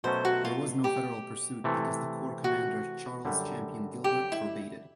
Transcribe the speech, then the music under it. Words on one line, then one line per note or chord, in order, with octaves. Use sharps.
There was no Federal pursuit because the corps commander Charles Champion Gilbert forbade it.
B2 F#3 A3 C#4 C5
F#4
F4
G4
C3 E3 A3
F#4
F#2 D3 G3
G4
E4